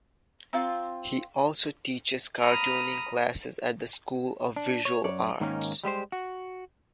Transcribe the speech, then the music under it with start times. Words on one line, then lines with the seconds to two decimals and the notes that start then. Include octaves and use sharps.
He also teaches cartooning classes at the School of Visual Arts.
0.53 C4 F4 F5 G5 A#5
2.40 A#5 B5 D#6 F6
4.56 D4
4.85 C#5
5.04 F#2 C#5 D5
5.40 G#2 D#3 A#3 C#4 D#4
5.84 G3 G#3 G4 C5
6.12 F#4